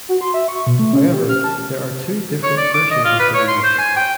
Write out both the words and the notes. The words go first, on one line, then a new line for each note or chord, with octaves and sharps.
However, there are two different versions of the remix.
F#4
C6
E5
C#6
B2
A3
C#4
G4
F6
A5
C#5
D5
D6
D#5
F4
B4
C#5
C6
C5
G#5
G5